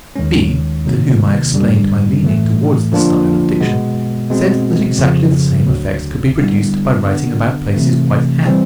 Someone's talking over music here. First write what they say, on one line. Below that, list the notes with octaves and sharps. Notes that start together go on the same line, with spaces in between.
B., to whom I explained my leaning towards this style of diction, said that exactly the same effect could be produced by writing about places quite handy.
D#2 D#3 G#3 C#4
C3 D#3 F#3 A#3
F#2 D3 G3
A2 E3 A3
D3 F3 A#3 D4 F4
B2 G#3 B3
B2 G#3 C4
F2 C#3 F3
D2 D3 F#3
D3 G3 B3 E4
D3 F#3 B3
C3 E3 A3
E3 G3 C4